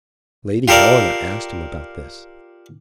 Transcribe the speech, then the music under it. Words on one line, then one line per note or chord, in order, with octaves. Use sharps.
Lady Helena asked him about this.
F4 G4 A4 A#4 D5 F5